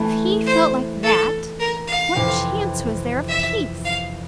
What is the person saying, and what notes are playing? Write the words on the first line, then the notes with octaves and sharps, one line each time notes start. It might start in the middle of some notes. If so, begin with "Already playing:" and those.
If he felt like that, what chance was there of peace?
Already playing: E3 A3 E4
C5
A4
A#4
F5
F2 C3 E3
E5
F5